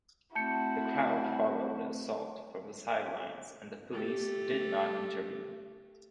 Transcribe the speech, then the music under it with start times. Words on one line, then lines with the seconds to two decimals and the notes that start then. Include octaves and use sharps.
The crowd followed the assault from the sidelines and the police did not intervene.
0.35 A3 C4 E4 F#4 A5 G6 C#7
3.92 A3 G4